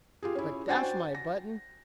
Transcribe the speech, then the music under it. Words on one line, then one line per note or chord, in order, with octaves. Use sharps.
But dash my buttons!
F4 G4 G#4
C#4 E4
D4 F#4 C5 G5 G#5 A6
A#6